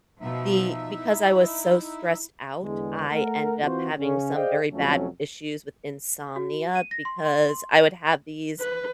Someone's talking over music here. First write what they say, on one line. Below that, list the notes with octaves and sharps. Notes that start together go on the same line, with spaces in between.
the because I was so stressed out, I ended up having some very bad issues with insomnia, because I would have these
B2 F3 D#4 E5
E4
E2 D3 G#3
A3 A#4 F#5
E3 C4 F4 F#4 C5
C#3 C#4
G#4 C5 D5 D#5 F5 G5
F2 C3 F#3 A3 C#4
F#4
D#7
A#6
C6
C6
C6
B4